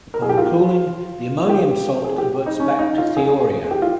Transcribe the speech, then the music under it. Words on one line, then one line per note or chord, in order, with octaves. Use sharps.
Upon cooling, the ammonium salt converts back to thiourea.
A#4
G#4
G4
F4
F4
G4
G#4
G4
D#4
C#4
D#4
F4
G#4
G4
F4